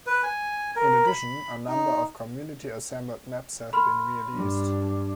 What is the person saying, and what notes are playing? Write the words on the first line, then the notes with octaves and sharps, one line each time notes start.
In addition, a number of community assembled maps have been released.
B4
G#5
A#4
B5
D#4
B5 C6 F6
G2 D4